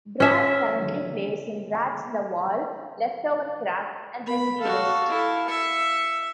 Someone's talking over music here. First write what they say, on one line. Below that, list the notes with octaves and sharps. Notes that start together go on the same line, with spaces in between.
Brad currently plays in Rats In The Wall, Leftover Crack, and Recidivist.
C#4 E5
B3 B5
F#4 A4 F5
E4 A4
E5 C#7